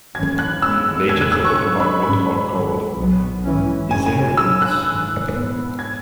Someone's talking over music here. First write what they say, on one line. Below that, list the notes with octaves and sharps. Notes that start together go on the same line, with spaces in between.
Natives of the department are called "Isariens".
F#1 F#2 E3 C#4 G#6
F#6
G#2 G#3 B3 E6
E2 E3 G#3 B3 G#6
F#6
E6
C#6
G#2 F#3 C#4 C#6
B5
G#2 F#3 C#4 B5
G#1 G#2 F#3
B1 B2 F#3 B3
G#2 E3 C#4
F#1 F#2 C#3 G#3 C#4 G#5
G#5
F#2 C#3 F#3 E6
F#6
G#1 G#2 E3
G#2 E3 B3
G#6